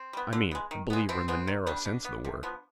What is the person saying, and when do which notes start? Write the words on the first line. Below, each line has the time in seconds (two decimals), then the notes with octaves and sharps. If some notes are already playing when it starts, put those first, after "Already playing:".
I mean, a believer in the narrow sense of the word.
Already playing: C4
0.13 G3 B3
0.33 D3
0.51 G#3 B3
0.71 D#3
0.90 G#3 B3
1.09 B2 C4
1.28 G#3 B3 C4
1.47 D#3
1.67 G3 B3 D4
1.85 B2
2.05 B3
2.24 C3
2.43 F3 B3